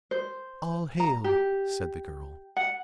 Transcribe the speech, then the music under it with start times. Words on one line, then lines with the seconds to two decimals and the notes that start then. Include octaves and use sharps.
'All hail!' said the girl.
0.11 C5
1.00 A#5
1.24 G4
2.57 F#5